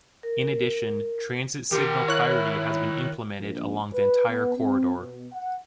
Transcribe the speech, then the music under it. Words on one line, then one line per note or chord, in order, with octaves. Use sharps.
In addition, transit signal priority has been implemented along the entire corridor.
A#4
D#3 G4 A#4 C6
E4 C#5 F#6
A#1
B4
B3
C4
B2
F#5